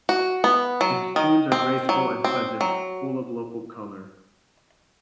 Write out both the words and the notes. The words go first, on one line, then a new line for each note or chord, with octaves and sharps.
Its tunes are graceful and pleasant, full of local color.
F#4
B3
F#3
D#3
C4
F#3
C4
F#3